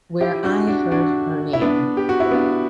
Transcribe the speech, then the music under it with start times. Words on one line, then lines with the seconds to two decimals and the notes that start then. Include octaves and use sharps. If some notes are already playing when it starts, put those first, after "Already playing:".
Where I heard her name.
0.21 E4 G4
0.44 D4 F#4
0.67 D4 F#4
0.91 D4 F#4
1.53 E4
1.61 B3 D4
1.97 G4
2.09 F#4
2.20 E4
2.31 B3 D4